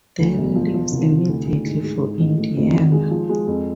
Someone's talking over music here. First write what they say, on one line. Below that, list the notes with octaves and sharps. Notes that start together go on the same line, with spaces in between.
Dan leaves immediately for Indiana.
D2
E1
F3
F3
C2
C2
D2
D2
G#2
G#3
G#2
A1
A3
F2
G#1
G#3
F3
G#3
F2